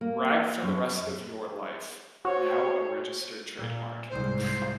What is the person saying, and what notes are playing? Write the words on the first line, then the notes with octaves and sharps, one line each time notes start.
Brag for the rest of your life"", now a registered trademark.
A#3
F#2
F#4 C5 C#5
A#2
C2 G#2 C5